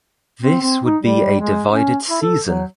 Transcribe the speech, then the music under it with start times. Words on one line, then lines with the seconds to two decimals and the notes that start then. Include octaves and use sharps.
This would be a divided Season.
0.42 C4
0.62 C4
0.85 D#4
1.03 G3
1.39 G#3
1.70 C#4
2.10 E4
2.22 A4
2.46 F#3